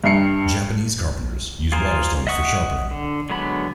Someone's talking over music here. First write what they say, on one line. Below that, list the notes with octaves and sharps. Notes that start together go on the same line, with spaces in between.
Japanese carpenters use waterstones for sharpening.
G2 E5 C7 C#7
F4 G#4 A#4 C5
D#5 E5 F#5 C#6 D#6
D3
D3 F#3 G#3 B3 B5